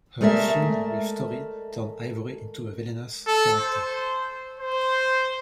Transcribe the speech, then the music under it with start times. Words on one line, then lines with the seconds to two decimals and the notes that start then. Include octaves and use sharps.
Her feud with Tori turned Ivory into a villainous character.
0.21 G#3 A3 A#4 D5 E5
3.27 A4
3.60 C5
4.60 C5